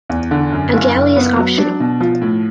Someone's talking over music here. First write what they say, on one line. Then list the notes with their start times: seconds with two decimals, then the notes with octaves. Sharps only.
A galley is optional.
0.10 E2
0.31 D3
0.52 F#2
0.73 F#1
0.94 F#1
1.16 B3
1.37 F#3
1.58 D4
1.80 B2
2.01 F3
2.22 A2